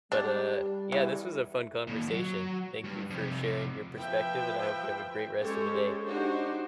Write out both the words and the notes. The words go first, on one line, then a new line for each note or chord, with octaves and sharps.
But, uh, yeah, this was a fun conversation. Thank you for sharing your perspective, and I hope you have a great rest of the day.
G3 D4
E3
D#2 A#2
F#3
G2
F2 C3
F3 B4 E5 G5
G#3 C#4 G4 A4 C5 C#5
D4 D#4 F#4 G4 C5